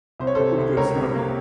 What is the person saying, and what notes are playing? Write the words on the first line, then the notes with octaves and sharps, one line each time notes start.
pretty good swimmer
C2 C5
C#5
C3 A4 C5
C2
C#2 A#4 C#5
C3
A#3